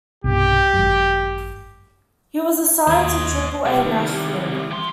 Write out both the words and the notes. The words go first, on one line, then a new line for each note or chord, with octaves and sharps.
He was assigned to Triple-A Nashville.
B1 G2 C3 G4
G#1 F#2
D#2 C5 D#5 G#6
C2 C3 G3
D#3
E3 C6